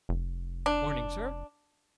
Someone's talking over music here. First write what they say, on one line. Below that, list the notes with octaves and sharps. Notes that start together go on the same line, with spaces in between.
'Morning, sir!
F1
D4